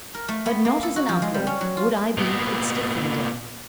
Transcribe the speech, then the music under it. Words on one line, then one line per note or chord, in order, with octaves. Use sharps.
But not as an outlaw, would I be its defender.
A#4
A3
B3
A#3
A4
F#4
F3
G#3
G3
C#4
F#3
F4
A#2 B3